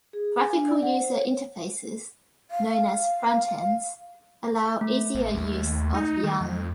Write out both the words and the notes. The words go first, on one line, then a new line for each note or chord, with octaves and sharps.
Graphical user interfaces, known as "front-ends", allow easier use of yum.
G#4
G#5
D4
D5
F#5
C5
C#5
F5
A3
A1
D#2
D#4
D#3
F2